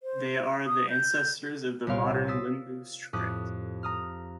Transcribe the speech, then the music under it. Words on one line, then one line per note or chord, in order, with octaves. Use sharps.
They are the ancestors of the modern Limbu script.
C5
D#6
G6
C2 A#2 C#5 F5 C6 D7
D#6 E6 A6 B6 C7
F2 A2 G4 D6 D#6 F#6
A#5 D#6 F6